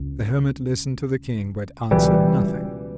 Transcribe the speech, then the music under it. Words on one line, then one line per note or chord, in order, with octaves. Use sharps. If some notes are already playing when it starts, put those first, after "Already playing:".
The hermit listened to the King, but answered nothing.
Already playing: C#2
C#2 B2 E3 G3